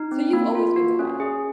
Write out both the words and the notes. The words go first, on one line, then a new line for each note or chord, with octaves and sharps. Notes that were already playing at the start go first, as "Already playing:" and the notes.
So, you've always been good at it?
Already playing: D#4
C4
A#3
F4
F#4
C#4
G#4